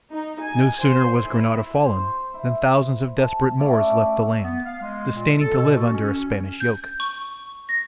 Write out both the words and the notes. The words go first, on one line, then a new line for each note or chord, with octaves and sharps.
No sooner was Granada fallen, than thousands of desperate Moors left the land, disdaining to live under a Spanish yoke.
D#4
G#5
C5
E4
C5
E4
A5
A3 C#4 E4 D5
B3
F5
G#3
A#2
A4
B2
F#4
C#4
G6
C#6
A#6